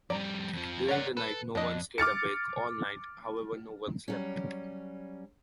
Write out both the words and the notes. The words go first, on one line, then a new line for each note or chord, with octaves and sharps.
During the night, no one stayed awake all night, however no one slept.
F2 G3 D5 A#5
F2 F3
A#4 C#5 D5 F#5
A4 B4
F2 D4 D#5
D6 F6 A6 C#7
F#3 G3 C#4